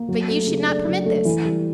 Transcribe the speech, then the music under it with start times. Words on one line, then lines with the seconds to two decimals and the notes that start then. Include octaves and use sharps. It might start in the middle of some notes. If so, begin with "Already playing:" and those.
But you should not permit this.
Already playing: A#3
0.08 F#3
0.28 A3
0.47 C#3
0.67 D4
0.86 F#3
1.06 A3
1.25 E3
1.45 G3